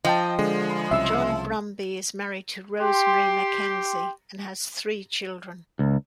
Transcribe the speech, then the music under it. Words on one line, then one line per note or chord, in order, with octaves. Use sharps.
John Brumby is married to Rosemary McKenzie and has three children.
F3 D#5 G5 A5
D3 G#3
C2 C#3 E5 E6
G4 C6
C#2